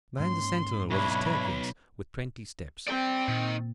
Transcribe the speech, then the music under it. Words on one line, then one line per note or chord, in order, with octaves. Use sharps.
Behind the sentinel was a staircase with twenty steps.
G#2 A#3 C#4 C6
B1 D4 E4 C#5 B5
C4 D5 G5
A#2 D#3